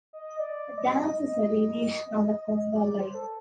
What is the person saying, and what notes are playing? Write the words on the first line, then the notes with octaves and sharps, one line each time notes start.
The dance is a variation on a conga line.
D#5
D5
D5
D#5
D#5
D5
D5
C5
A4